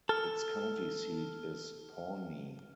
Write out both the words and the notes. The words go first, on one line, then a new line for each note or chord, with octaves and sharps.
Its county seat is Pawnee.
A4 F6